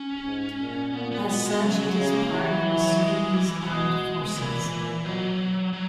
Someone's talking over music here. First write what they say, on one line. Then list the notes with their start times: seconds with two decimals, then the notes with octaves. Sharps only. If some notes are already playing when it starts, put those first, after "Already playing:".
As such it is part of the Sudanese Armed Forces.
Already playing: C#4
0.25 G#2
0.60 A#2
0.94 A#2 B3
1.12 B3
1.28 B2 B3
1.46 G#3
1.62 C#3 F#3
1.79 F#3
1.96 C#3 G#3
2.14 A#3
2.31 E3 F#3
2.99 G#3
3.33 E3
3.63 F#3
3.67 B2 G#3
4.36 A#2 E3
4.70 A#2
5.05 B2 F#3
5.73 F#3